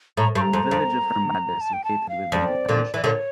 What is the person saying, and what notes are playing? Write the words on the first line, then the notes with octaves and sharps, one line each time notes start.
The village of Armada is located within the township.
A2 A#5
G2 C#6
A#5
F2
F2
A5
G5
A5
F5
F2 D5
A#2 D3
E3 D5
A#2 D3 C#5